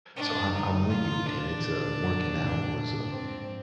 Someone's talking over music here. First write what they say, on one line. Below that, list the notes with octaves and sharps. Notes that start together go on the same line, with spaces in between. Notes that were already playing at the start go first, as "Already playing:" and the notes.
So, I I'm with you, man. It's, uh, working out was, uh
G#2 C3 D4
A#2 D3 D#4
A#2 D3 F4
D4
G#2 C3
G2 A#2
F2 G#2 C4